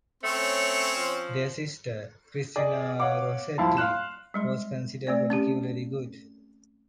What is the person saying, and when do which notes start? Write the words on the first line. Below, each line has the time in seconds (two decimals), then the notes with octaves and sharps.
Their sister, Christina Rossetti, was considered particularly good.
0.23 A3 C4 C#4 C#5
0.97 F3
2.56 G#4 D5 D#5
3.00 C#5 F5 F#5 D6
3.58 D#1 D#2 F3 E4 F5 A5
3.77 F5 C6 F6 F#6 E7
4.34 G3 G#3 C6
5.07 A3 C4 D5
5.30 C#4 G4